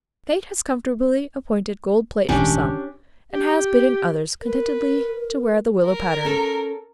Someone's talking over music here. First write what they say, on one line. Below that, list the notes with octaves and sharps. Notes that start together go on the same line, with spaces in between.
Fate has comfortably appointed gold plate for some, and has bidden others contentedly to wear the willow-pattern.
D#1 G#1 D#3 C#4 D4 G4
G4
A#4 B4
A#4
C#4 A4